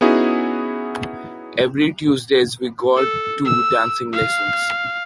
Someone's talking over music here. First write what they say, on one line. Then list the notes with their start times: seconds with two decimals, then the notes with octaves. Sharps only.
Every Tuesdays we go to dancing lessons.
0.01 B3 C#4 D#4 E4 F#4 G#4
2.97 A4
3.45 E6
4.13 F5